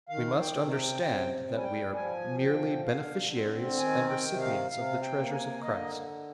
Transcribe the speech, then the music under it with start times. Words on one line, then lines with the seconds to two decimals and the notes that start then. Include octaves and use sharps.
We must understand that we are merely beneficiaries and recipients of the treasures of Christ.
0.09 D#3 F5
0.40 G5
0.56 C3
0.71 G5
1.02 C3 G5
1.49 G3
1.58 G#5
1.63 G5
1.94 F3 G#5
2.40 D3 G5
2.86 D3 F5
3.32 C4
3.78 D#3 G#5
4.10 G5
4.25 C3
4.40 F5
4.71 C3 F5
5.02 G5
5.17 A#3
5.32 G#5
5.62 D3 D#5